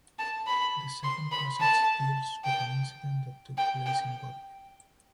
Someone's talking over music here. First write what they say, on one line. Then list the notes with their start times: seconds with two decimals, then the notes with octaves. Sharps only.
The second passage deals with an incident that took place in Bodmin.
0.19 A5
0.47 B5
1.03 C6
1.32 B5
1.60 A5
2.44 G5
3.58 G5
3.86 G5